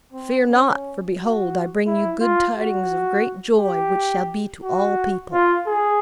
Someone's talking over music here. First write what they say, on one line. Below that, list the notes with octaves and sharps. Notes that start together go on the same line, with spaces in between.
"Fear not: for behold, I bring you good tidings of great joy, which shall be to all people."
C4
C#4
F#4
E4
F4
F#4
G4
F#4
F4
G#4